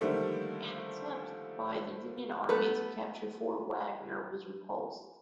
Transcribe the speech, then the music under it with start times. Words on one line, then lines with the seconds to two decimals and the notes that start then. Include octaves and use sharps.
An attempt by the Union Army to capture Fort Wagner was repulsed.
0.01 D3 D#3 F3 G3 A3 A#3
2.49 A3 B3 B4